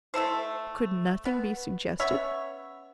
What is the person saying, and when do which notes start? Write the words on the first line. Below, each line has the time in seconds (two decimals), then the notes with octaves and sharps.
Could nothing be suggested?
0.14 A3 E4 A4 C5
1.25 B3
2.00 B3 C#4 C#5 E5